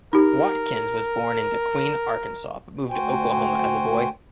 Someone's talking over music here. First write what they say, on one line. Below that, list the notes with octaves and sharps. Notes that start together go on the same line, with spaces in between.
Watkins was born in De Queen, Arkansas but moved to Oklahoma as a boy.
D#4 G4 A#4
D2 F#4 C5 G5 G#5